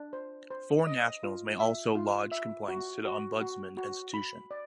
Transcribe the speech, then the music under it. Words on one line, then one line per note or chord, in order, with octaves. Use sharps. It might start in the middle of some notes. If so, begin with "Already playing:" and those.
Foreign nationals may also lodge complaints to the Ombudsman Institution.
Already playing: D4
C5
C5
D#5
F4
E5
F4
E5
F#4
F#4
F#4
F#4
B5
D5